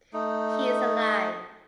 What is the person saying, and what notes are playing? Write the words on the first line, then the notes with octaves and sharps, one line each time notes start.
He is alive.
A3 D#4